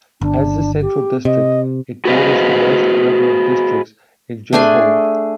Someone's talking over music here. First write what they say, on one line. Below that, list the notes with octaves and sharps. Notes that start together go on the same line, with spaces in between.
As the central district, it borders the most number of districts in Johor.
G1 D4
G4
C3 D#5
F#4 G#4 B4 C5 D#5 F5
A3 D4 G#4 G#5